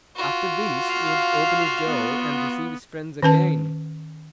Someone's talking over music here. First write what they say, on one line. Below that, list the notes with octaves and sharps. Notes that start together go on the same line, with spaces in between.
After this he would open his door and receive his friends again.
F4 F#4
F5
B3
D#3 C#4 B4 A5